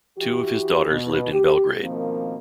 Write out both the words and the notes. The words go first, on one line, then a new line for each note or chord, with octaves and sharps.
Two of his daughters lived in Belgrade.
E3 F#4 G4
B2
G4
B2 D#3 F3 A#3 C4